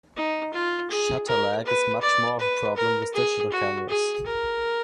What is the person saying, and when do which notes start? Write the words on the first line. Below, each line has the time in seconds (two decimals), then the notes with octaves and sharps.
Shutter lag is much more of a problem with digital cameras.
0.16 D#4
0.53 F4
0.91 G#4
1.27 A#4
1.65 B4
2.01 D5
2.39 B4
2.76 A#4
3.14 G#4
3.52 F#4
3.89 G#4
4.26 A#4